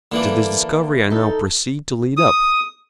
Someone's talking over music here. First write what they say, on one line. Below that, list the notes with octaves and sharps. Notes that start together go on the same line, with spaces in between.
To this discovery I now proceed to lead up.
D3 E3 A#3 D4 A4
D#4 A4
D#6